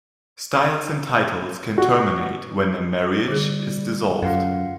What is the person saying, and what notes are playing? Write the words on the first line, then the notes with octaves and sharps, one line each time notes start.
Styles and titles can terminate when a marriage is dissolved.
F#4
D3 G3 G#4
F#2 F4 A4 F5 F#5